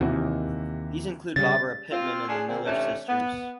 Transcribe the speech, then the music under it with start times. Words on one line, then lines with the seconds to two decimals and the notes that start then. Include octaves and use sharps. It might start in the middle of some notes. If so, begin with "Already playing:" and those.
These include Barbara Pittman and the Miller Sisters.
0.01 D#2 C3 E3 F#4
1.36 C#3 G3 A6
1.90 C4 F4
2.29 C#4 D4 G#4
2.48 A#2 D3 A#3 C4 G#4
2.65 C3 E3 A3 C#4 D4
3.08 B3